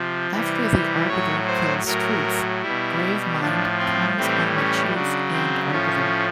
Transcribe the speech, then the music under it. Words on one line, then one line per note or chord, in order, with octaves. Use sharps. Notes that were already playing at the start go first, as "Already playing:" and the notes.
After the Arbiter kills Truth, Gravemind turns on the Chief and Arbiter.
Already playing: C3 F3
C3 E3 G3
A2 F#3 C#5
C5
A2 F#3 A#4
B2 G3 E4
A2 F3 D4
C4
A2 E3 G3 C4
C#4
C#3 F#3 D4
C4
A2 F3 C#4